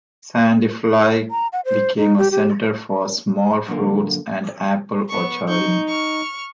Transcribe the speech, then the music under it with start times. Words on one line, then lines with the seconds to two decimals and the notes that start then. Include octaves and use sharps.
Sandfly became a center for small fruits and apple orcharding.
1.31 A#5
1.53 F#5
1.65 C5
1.97 D#4
2.18 G4
2.31 G4
3.68 F#2 A#2 D3 A#3
5.09 B3 C#6
5.48 D#4 C#6 G6
5.88 C#6 F6